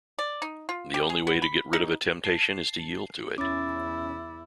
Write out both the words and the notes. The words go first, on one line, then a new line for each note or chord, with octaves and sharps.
The only way to get rid of a temptation is to yield to it.
D5
D#4
F4
G4
G#4
B3
B5
D#4
A5 C7
E2 C#4 E4 D6 A6